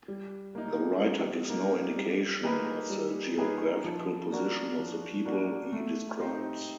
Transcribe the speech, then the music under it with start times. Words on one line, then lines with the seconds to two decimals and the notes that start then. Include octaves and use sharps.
The writer gives no indication of the geographical position of the people he describes.
0.08 G3
0.55 A#3 D#4
1.02 G3
1.49 A#3 D#4
1.96 G3
2.43 A#3 D#4 G#4 B4
2.90 G3
3.37 A#3 D#4 G#4 B4
3.84 F3
4.31 A#3 D4 F#4 A#4
4.79 F3
5.25 A#3 D4 F#4 A#4
5.72 A3
6.19 C4 D#4 G4 C5